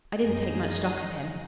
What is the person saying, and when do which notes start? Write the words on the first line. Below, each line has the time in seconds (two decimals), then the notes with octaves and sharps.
I didn't take much stock of him.
0.22 F#2 D#4 G#4 D#5